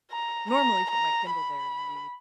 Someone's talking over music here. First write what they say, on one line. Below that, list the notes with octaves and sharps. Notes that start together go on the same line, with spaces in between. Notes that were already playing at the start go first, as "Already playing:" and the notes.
normally put my Kindle there and read
A#5
A#5
A#5
B5